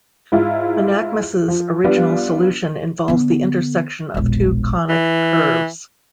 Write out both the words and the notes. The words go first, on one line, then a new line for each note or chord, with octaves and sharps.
Menaechmus' original solution involves the intersection of two conic curves.
G#2 E4 F4
F3
G3 B3 D4 F4
D3 B3
E1 A#1
E3